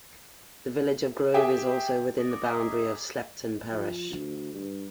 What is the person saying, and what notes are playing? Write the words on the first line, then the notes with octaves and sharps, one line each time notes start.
The village of Grove is also within the boundary of Slapton parish.
G4 G#4 E5 G5
D5 D#5 C#6
D6
G#4 D#5 E5 A#5 D6
F3
D2
G2